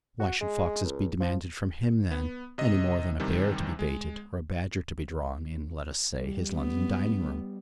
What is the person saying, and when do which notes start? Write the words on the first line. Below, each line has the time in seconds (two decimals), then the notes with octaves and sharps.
Why should foxes be demanded from him then any more than a bear to be baited, or a badger to be drawn, in, let us say, his London dining-room?
0.20 F#4
0.41 G#3
0.84 C#2
1.20 F3
2.11 B3
2.58 C3 D#5
3.20 E2 C3 D#3 G3
3.79 G#3
6.16 G3
6.56 B3